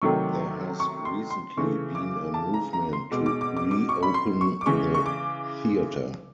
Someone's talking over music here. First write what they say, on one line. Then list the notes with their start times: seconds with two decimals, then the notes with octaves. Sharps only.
There has recently been a movement to re-open the theater.
0.02 C3 D#3 F#3 A3 C#6
0.80 C#6
1.05 C6
1.30 C6
1.57 C#3 E3 A3 C#6
1.95 D6
2.34 A5
2.54 A#5
2.73 A#5
2.93 C6
3.11 B2 G#3 D6
3.26 D6
3.41 D6
3.57 D6
3.71 D6
3.89 C#6
4.03 B5
4.14 C6
4.41 C#6
4.61 D6
4.66 C#3 E3 G#3 C#6
4.95 C#6
5.06 D6